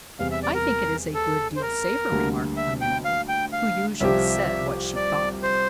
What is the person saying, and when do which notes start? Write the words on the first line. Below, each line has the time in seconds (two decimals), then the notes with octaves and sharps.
"I think it is a good deal safer," remarked a Minnow, who usually said what she thought.
0.19 E2 C3 G3 F5
0.31 E5
0.43 D5
0.55 A#4
1.14 A4
1.56 C5
1.62 A#4
2.10 D2 D3 G3 A#3
2.57 E5
2.81 G5
3.05 F5
3.29 G5
3.53 F5
4.00 C2 C3 F3 C4 G4 E5
4.96 D5
5.43 C5